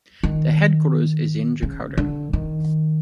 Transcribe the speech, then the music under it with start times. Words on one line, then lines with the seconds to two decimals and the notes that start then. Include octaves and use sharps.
The headquarters is in Jakarta.
0.23 D#3
1.63 C#3
1.98 D3
2.33 D#3